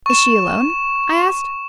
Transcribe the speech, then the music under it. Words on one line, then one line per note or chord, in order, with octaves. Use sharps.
"Is she alone?" I asked.
C#6 E7